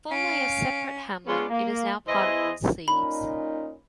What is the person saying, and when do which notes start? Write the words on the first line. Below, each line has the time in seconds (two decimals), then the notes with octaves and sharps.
Formerly a separate hamlet, it is now part of Woodseaves.
0.11 C#4 F5 D7
1.27 G#3 B3 C#4 D4 F4
1.50 A#3
2.07 E2 E3 E4 G#4 C5 D#5
2.88 A#2 C#4 D#4 B5